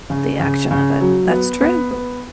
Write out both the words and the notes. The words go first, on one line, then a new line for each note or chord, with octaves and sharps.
The action of it. That's true.
C#3
C#3
C#3
F#3
B3
B3
B3